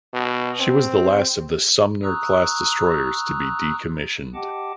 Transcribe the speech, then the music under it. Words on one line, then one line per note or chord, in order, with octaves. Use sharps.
She was the last of the "Sumner" class destroyers to be decommissioned.
B2
C4
A#5 C#6 D#6 E6 F#6
G4 D#5 F#5 G5 A5 D6